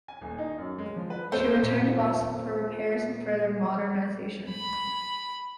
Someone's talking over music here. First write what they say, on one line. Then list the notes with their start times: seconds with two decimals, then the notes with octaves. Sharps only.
She returned to Boston for repairs and further modernization.
0.08 G#5
0.21 D#1
0.38 D#4
0.58 F#2
0.78 G#3
0.96 F3
1.10 B4
1.32 D#2 A3 C5
1.63 A#2
4.49 B5